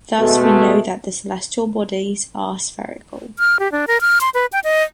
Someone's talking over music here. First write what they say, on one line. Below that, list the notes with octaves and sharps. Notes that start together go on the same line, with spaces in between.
Thus we know that the celestial bodies are spherical.
B2 G#3 A3
F6
G4
D4
A#4
F6
C6
B4
G5
D#5